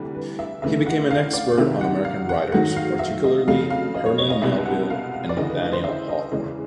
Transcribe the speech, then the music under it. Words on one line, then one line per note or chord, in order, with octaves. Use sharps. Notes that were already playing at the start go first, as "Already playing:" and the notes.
He became an expert on American writers, particularly Herman Melville and Nathaniel Hawthorne.
Already playing: D2 C3 E3 G3
B4
E5
D2 C#3 E3 A3 E5
F#5
F5
D5
C2 C3 D#3 E5
F#5
F5
F#5
G#2 D#3 F#3 A3 F#5
F5
E5
D#5
F2 C#3 F#3 A3 F5
F5
D#5
C#5
C#5
D#5
C2 B2 G#3 E5
F#5
F5
F5
D5
D2 C#3 E3 D#5
B4
B4
C5
E5
D#5
E2 C#3 E3 G#3